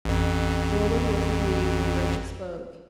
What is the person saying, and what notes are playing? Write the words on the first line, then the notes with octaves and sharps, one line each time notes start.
Rollin was relieved when Rachel spoke.
A1 F2